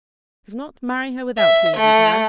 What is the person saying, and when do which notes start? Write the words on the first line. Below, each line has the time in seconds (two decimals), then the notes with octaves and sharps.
If not, marry her without me if you can.
1.38 E5
1.77 A3